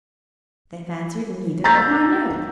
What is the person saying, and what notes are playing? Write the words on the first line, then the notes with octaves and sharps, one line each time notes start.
They have answered neither of my notes.
A#5 E6 G6 A6 B6